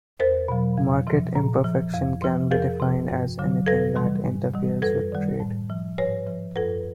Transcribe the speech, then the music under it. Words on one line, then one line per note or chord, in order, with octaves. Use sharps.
Market imperfection can be defined as anything that interferes with trade.
E2 A#4 C5
B2 F#3
F2
C3 F3
A#2
F3
F2
C3 F3
F2 G#4 A#4
C3 F3
G2
D3 F#3
F2 A4 B4
C3 E3 G3
G#2
E3 G3
F#2 A4 B4
D#3 G3
A2
F3
G#2 B4 C#5
F3
F#2 A4 B4